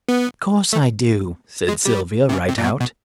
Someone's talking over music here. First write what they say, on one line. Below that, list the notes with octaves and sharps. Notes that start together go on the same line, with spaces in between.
"Of course I do," said Sylvia right out.
B3
A3
G#3
G3
C3
C#3
C3
A#2
B2
B2